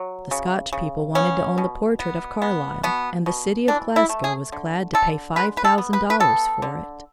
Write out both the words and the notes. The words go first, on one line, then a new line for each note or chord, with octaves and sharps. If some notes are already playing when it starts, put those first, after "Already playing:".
The Scotch people wanted to own the portrait of Carlyle, and the city of Glasgow was glad to pay five thousand dollars for it.
Already playing: F#3
C#3
C#3
B3 C#4
B2
B3
B3
B2 B3
B2
E3 D4
E4
A3
G#4
D3
D3 A4
G#3 B4
B4
A4
B3
B4
B4
B3 A4
D3